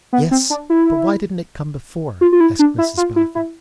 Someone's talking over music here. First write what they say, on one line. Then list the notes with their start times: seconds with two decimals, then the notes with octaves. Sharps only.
'Yes; but why didn't it come before?' asked Mrs Boffin.
0.13 B3
0.31 C4
0.50 D4
0.70 E4
2.21 F4
2.33 F4
2.40 E4
2.59 D4
2.78 E4
2.97 F4
3.16 E4
3.35 E4